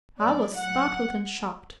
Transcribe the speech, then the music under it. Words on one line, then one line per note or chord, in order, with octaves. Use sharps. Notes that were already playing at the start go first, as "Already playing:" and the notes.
I was startled and shocked.
A2 F#3 D5
F#5